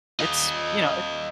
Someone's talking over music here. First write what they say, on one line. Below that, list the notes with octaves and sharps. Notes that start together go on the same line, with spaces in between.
it's, you know, it
F4 D#5